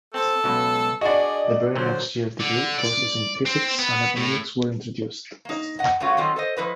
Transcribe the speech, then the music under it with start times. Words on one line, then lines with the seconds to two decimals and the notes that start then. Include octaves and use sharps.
The very next year degree courses in Physics and Economics were introduced.
0.14 C4 A4
0.44 C#2 B2 F#3
1.01 D4 F#4 G#4 D5 D#5
1.75 A#2 D3 F#3 C5
2.40 D3
2.79 D5
3.46 C4
3.79 B3
4.17 A2
5.45 A#3 D#4
5.79 D#5 F#5
6.00 G2 C#3 A3 C#4 F4 F#4
6.17 D#3 F#3 C4 F4 A4 D#5
6.36 A4 C5 D#5
6.57 F3 E4 B4 D#5